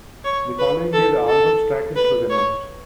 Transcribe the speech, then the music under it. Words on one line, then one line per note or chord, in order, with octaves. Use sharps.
The following day the album's track list was announced.
C#5
B4
A4
A4
B4
C#5